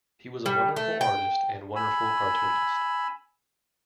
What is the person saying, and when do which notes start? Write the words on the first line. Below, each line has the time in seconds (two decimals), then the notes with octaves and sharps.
He was a wonderful artist and a wonderful cartoonist.
0.46 G3
0.76 A3
1.01 G5
1.76 G#5 B5 E6